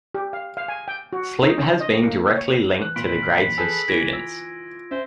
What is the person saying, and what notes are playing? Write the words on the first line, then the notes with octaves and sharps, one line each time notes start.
Sleep has been directly linked to the grades of students.
G4
F5
F5
G#5
G5
F#4
D#4
C#4
D#5
A#3
C#5
E3 F#6
A#2 B5 B6 D7
G#4 A4 B4
E3 E4 G#6 A#6 D7
F4 E6
C#4 C5 E5